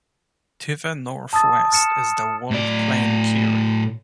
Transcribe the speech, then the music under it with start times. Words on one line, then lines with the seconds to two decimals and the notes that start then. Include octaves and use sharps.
To the northwest is the walled plain Curie.
1.33 A5 D#6 E6 A6
1.72 F6 A6 C#7 E7
2.51 A2 D5